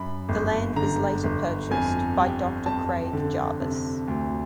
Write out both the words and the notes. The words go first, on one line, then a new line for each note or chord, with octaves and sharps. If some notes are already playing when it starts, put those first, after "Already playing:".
The land was later purchased by Doctor Craig Jarvis.
Already playing: F#2 B5
G1
D3 A#5
G1
F2 G#5
G3 G5
F2 A5
D3
C3
D2